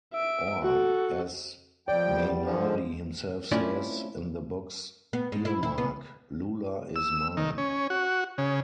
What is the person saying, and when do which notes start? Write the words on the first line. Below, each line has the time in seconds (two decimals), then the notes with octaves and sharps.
Or, as Mainardi himself says in the book's earmark, Lula is mine.
0.14 E5 D7
0.63 F#4 A4
1.88 F2 D5 G5
2.02 E2 G3
2.44 D3 F3
2.59 G#3
3.52 A3 C4 C#4 E4 F4 D5
5.13 B3
5.32 G#2
5.45 E4
5.63 E4
5.78 B3
6.96 E6
7.37 D#3
7.58 C#4
7.90 F#4
8.38 C#3